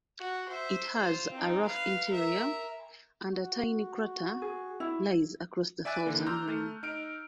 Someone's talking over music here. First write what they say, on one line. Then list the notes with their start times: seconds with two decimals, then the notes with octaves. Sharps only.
It has a rough interior and a tiny crater lies across the southern rim.
0.20 F#4
0.48 C5 E5
0.96 F4 C5
1.32 C4 D#4
1.66 B4 F5
2.09 A#4 E5
3.33 F#4
4.42 G#4
4.80 E4
5.85 D5 E5 G#5 D6 F#6 A6
6.06 D3 E3 A#3
6.26 A#5 C6 D6 E6 F6 G6
6.48 A3
6.83 D#4 F6 D7